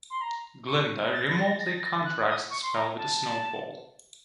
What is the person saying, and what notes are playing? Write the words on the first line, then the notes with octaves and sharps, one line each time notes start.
Glinda remotely counteracts the spell with a snowfall.
C6
A#5
C#6
A6
A#6
A6
A#6
A6
A#6
A6
A#6
A6
F#6
D#6
C#6
C6
A#5
A5